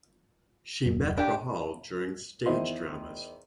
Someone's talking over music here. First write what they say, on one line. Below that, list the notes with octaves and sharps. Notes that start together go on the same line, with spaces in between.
She met Rahal during stage dramas.
D#1 F#2
D4 G4
E2 D#3 E4 C5 D#5 C6